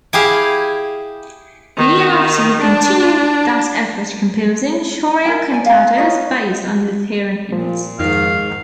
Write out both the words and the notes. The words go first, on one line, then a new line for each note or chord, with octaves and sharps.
The year after, he continued that effort, composing chorale cantatas based on Lutheran hymns.
E4 G4 G#4 F5
D#3
D4
A#4 G#5
D5 G#5
F5 A#5
F4 C#5 D#5
A#2 F3
F2 G#2 D#3 F5